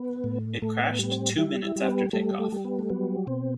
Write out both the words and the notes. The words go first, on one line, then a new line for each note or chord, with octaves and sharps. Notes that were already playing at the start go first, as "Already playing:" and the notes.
It crashed two minutes after take-off.
Already playing: B3
A2
A2 A3
B3
G3 B3
C4
G3 E4
E4
G3
C4
B3
G3 A3
A3
G3
B3
A3
F#3 B3
B2 C4